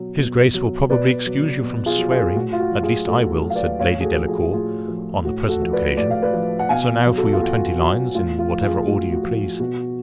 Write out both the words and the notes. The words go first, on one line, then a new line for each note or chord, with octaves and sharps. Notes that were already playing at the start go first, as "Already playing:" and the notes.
"His Grace will probably excuse you from swearing; at least I will," said Lady Delacour, "on the present occasion: so now for your twenty lines in whatever order you please."
Already playing: B2 F#3
B2
F#3
B2 B4 D5
F#3
B2
F4 G#4
F#3
F4 G#4
A2 F#4
F4
F#4
F#3
F4 G#4
A2 F#4 A4
F#3
F5
B4 D5
A2 C#5 F5
G#4
F#4 A4
F3
F4 G#4
A2 F4 G#4
F3
A2 F#4
F#4 A4
F3
B4 D5
A2 D5
F5
B4 D5
F3
F#5
B2 F5 G#5
F#3
F#4 A4
F4
B2 F#4
F#3
A2 F4
F4
F3
F4 G#4
A2 F#4
F#4
F3
B2 F#4